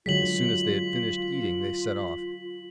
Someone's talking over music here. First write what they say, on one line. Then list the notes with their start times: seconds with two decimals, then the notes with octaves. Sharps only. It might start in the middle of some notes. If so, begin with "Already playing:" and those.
As soon as they had finished eating they set off.
0.06 D3 F#3 G#3 F4 B6 F#7